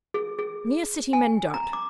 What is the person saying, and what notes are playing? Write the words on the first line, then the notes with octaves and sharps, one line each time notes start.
Mere City men don't.
G#4
G#4
G#5
A#5
D6